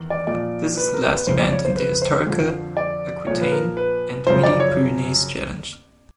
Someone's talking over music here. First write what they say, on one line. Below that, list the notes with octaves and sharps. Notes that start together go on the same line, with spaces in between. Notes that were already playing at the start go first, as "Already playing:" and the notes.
This is the last event in the historical Aquitaine and Midi-Pyrénées Challenge.
Already playing: E2 D#3
D5
A#2 F3 D5
B4
A#4
B4
F2 C#3 F3 C5
D5
C#5
C5
B4
C5
F2 D3 F3
D5
A#2 F3 C#5
B4
A#4
B4
F#2 C#3 F3 C5
D5
C#5